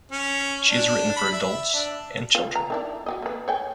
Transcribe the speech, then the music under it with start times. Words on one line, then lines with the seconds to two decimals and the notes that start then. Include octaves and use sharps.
She has written for adults and children.
0.12 C#4
0.70 D4
1.17 B5
1.33 E5
1.74 D4
2.35 F4 B4
2.55 A#5
2.70 D#3 D4 E4
3.06 F#4 G4 D#5
3.22 A#3 B4
3.48 C#5 G5 G#5